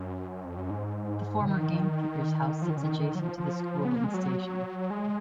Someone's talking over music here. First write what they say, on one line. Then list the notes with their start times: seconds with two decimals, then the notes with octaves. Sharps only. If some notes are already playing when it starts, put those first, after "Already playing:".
The former gamekeeper's house sits adjacent to the school and station.
Already playing: F#2
0.45 F2
0.57 F#2
0.70 G#2
1.41 C#3
1.47 D#3
2.62 F3
2.70 D#3
2.77 C#3
2.83 D#3
2.99 D#3
3.15 F#3
3.19 F3
3.38 F3
3.85 B3
3.95 A#3
4.04 G#3
4.14 F#3
4.90 G#3